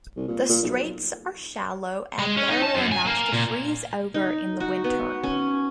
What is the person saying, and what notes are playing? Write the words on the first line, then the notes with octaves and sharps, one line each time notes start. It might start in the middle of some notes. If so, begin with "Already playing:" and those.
The straits are shallow and narrow enough to freeze over in the winter.
C2
A#2
A#2
B1
G#3
C#4
D#4
A5
F#2
G#5
A#3
A#2
D#4
F#4
B3
C#4